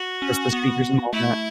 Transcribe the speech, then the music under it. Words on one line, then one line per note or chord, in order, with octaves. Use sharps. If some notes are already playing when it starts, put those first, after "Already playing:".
just the speakers and all that.
Already playing: F#4
C#4
B3
A3 E4